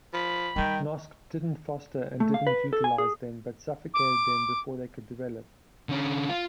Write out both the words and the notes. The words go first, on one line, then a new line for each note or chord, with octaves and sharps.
Noske didn't foster and didn't utilize them, but suffocated them before they could develop.
F3 B5
D#3 G3 D#4 G5
A3
F5
B4
A4
G#5
G#4
D6
D3 C#4
F4